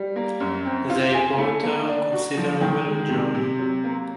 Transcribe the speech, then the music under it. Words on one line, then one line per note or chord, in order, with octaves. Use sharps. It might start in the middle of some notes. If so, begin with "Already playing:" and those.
They brought her considerable joy.
Already playing: G3
A#3
F#2
C4
F4
G#4
A3
A#3
D4
F#4
F3
D#3
G#3
C3
C3
F#3
A#3